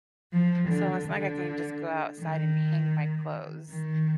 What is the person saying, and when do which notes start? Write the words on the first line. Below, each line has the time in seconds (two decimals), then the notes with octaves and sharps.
so it's not like I can just go outside and hang my clothes,
0.31 F3
0.68 D3
1.06 D3
2.19 D#3
3.68 D#3